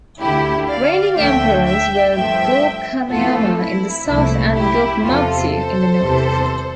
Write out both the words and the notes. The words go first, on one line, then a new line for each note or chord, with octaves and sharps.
Reigning Emperors were Go-Kameyama in the south and Go-Komatsu in the north.
D2 D3 A3 E4 G4
D5 F5
D2 D3 F3 A3 E5 G5
E5 G5
G2 F3 A3 E5 G5
F2 E3 A3 F4 A4
E4
C2 A#2 F3 A3 E4
E4 G4
E2 C3 F3 F4 A4
A4 C5
E2 C3 E3 G3